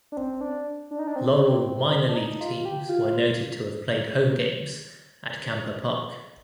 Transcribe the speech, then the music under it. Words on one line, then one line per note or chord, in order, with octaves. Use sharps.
Laurel minor league teams were noted to have played home games at Kamper Park.
D4
C4
D4
D4
D#4
D4
C4
C4
D4
D#4
F4
G4
F4